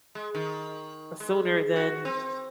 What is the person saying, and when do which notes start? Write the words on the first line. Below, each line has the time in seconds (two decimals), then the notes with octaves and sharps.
sooner than
0.15 G#3
0.35 D#3
1.20 G#3
1.76 F#4
2.05 C4